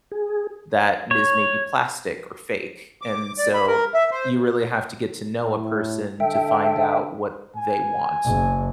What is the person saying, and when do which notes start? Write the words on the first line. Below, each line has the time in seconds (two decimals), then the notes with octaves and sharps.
that mis maybe plastic or fake, and so, you really have to get to know a person to find out what they want.
0.12 G#4
1.11 C#5
3.02 D6
3.38 D5
3.54 B5
3.68 A#4
3.94 E5
4.11 C5
5.45 A2
6.20 D3 A4 E5 G5
7.56 G#5
8.25 F#1